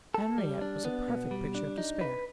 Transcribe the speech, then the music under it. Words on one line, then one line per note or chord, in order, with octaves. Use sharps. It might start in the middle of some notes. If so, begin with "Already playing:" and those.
Henriette was a perfect picture of despair.
A4
G3
D4
B3
B2
G3
D4
D#4
B4